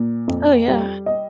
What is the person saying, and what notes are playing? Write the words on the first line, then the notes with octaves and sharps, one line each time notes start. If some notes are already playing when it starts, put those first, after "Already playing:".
Oh, yeah.
Already playing: A#2
F2
G3
D#5